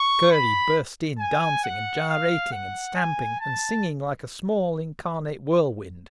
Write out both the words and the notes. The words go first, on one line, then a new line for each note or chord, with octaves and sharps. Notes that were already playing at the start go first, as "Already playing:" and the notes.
Curdie burst in dancing and gyrating and stamping and singing like a small incarnate whirlwind.
Already playing: C#6
B5
G#5
F#5
F5
F#5
G#5
A5